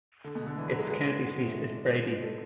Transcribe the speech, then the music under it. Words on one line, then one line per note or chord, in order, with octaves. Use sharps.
Its county seat is Brady.
D3 A4
B2
G#3
D3
E3 D4
F#3
G#3 A4
G#3 B4
D4
F#4
A3
G#3
D3
G#3
G#3
A4